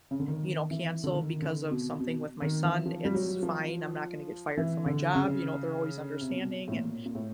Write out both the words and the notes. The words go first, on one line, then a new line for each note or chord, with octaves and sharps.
you know, cancel because of something with my son, it's fine. I'm not gonna get fired from my job, you know, they're always understanding, and,
C#3
D3
D#3
E3
D3
D#3
D3
B2
B2
D#3
E3
F3
G3
F#3
F3
E3
D3
C#3
C3
B2
A2
A#2
A#2
A2